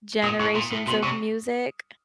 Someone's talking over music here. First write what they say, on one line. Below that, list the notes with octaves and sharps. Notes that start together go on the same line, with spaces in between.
generations of music.
A#2 D#6
A2 C#6
A#2 C6
A2
B2 C6
C3 C#6